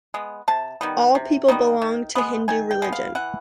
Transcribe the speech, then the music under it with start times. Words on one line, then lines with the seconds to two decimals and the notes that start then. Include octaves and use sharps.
All people belong to Hindu religion.
0.14 G#3 B3
0.48 C3 A5
0.81 D#3 G3 B3
1.15 C3
1.48 D#3 G3 B3
1.82 D#3
2.15 G#3 B3
2.48 D#3 G#5
2.71 G5
2.82 G#3 B3
2.92 F5
3.15 E3 F#5